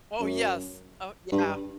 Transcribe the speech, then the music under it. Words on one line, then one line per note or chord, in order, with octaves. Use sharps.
Oh, yes. Oh yeah.
F#2
G2